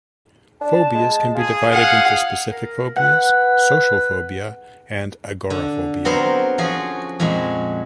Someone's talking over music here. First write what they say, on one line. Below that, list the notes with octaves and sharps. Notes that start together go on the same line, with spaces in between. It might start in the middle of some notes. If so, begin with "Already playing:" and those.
Phobias can be divided into specific phobias, social phobia, and agoraphobia.
D4 A5
G#3
F4 G#4
F5 F#5
A#4
B4 F#5
D3
F#3 B3 C4 A#4 C5
F3 C#4 F#4 G#4 C5
F2 A#2 G#3 F#4